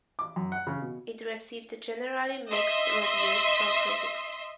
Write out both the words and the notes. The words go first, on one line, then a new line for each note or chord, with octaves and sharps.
It received generally mixed reviews from critics.
D6
F#2
F#5
C#3
B2
D#5 E5 C6 E6